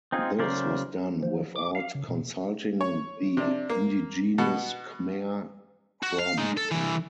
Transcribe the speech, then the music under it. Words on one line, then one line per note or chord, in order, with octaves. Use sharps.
This was done without consulting the indigenous Khmer-Krom.
C4 D#4 F4 G#4
C#3 F#3 A#4 C5 D5
F3
D6
F5
C#3
B2
C#5
C3 D4
A#3
B2 B3
F#4
F5
G#3 D#4
A4
C2 E3